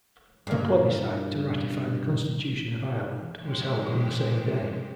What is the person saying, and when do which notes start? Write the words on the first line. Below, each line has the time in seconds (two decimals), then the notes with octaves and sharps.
A plebiscite to ratify the Constitution of Ireland was held on the same day.
0.47 G2 A#3
3.44 F3 F#3 G#3 G4 C5